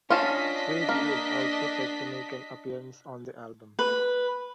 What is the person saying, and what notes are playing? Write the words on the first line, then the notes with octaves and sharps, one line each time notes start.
Swae Lee is also set to make an appearance on the album.
C#4 D4 F4 D#5 A5 B6
A#3
B4